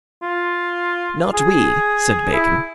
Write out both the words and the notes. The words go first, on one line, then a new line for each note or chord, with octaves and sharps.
"Not we," said Bacon.
F4
G#4
E4